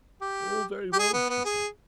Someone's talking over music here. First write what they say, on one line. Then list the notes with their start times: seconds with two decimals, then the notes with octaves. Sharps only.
"All very well," she said.
0.21 G4
0.93 G4
0.99 G#4
1.14 B3
1.30 B3
1.45 G#4